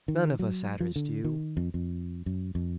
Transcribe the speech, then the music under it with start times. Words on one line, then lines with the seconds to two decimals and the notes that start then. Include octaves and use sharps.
None of us Adders do.
0.08 D#3
0.39 F#3
0.80 F3
0.96 D3
1.24 D#3
1.57 F2
1.74 F2
2.26 F#2
2.55 F2